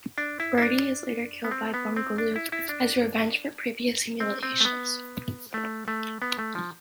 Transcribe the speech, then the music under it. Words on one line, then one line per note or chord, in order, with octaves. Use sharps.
Birdie is later killed by Bugaloo as revenge for previous humiliations.
D4
E4
E4
D4
B3
C4
B3
C4
D4
E4
E4
D4
C4
C4
A3
B3
A3
A3
B3
A3
F3